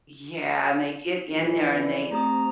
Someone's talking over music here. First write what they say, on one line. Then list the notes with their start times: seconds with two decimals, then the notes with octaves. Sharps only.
Yeah and they get in there and they
1.36 D#1 E3
1.71 F2 D5
2.11 A3 C4 G4 A#5 D#6